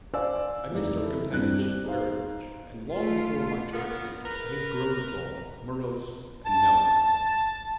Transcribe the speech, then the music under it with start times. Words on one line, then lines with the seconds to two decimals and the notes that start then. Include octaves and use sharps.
I missed her companionship very much, and long before my journey ended, I had grown dull, morose, and melancholy.
0.14 C5 D5 F5 G#5 E6
0.72 F1 E3 D#4 D5
1.00 E4 A4
1.30 E2 G2 B3 C4 D4 F#6
1.57 G3 C4 G4
1.84 D#4 G#4 C5 F5
2.91 A3 F4
3.72 C#3 B3 F4 A#4
4.24 A#4 B4
6.46 A5